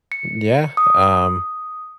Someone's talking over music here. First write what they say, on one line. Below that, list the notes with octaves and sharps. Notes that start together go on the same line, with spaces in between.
Yeah, um,
C#7
D#6